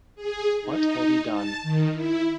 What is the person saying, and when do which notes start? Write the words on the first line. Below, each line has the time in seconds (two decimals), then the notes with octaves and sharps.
What had he done?
0.16 G#4
0.62 D#4
1.31 A5
1.63 D#3
1.93 E4